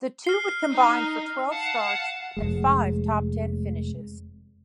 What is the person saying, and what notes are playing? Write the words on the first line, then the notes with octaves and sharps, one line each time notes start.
The two would combine for twelve starts and five top-ten finishes.
F6 C7 G7
D#4
F5 F#5 A5
F1 C#2 G#3